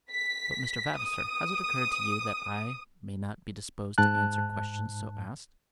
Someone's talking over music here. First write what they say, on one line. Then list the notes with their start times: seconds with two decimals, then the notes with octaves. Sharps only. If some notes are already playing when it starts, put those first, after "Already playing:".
"But, Mr. Vavasor, has it occurred to you that I may not be disposed to answer questions so asked?"
0.10 B6
0.97 D#6
3.98 G#2 A5 F#6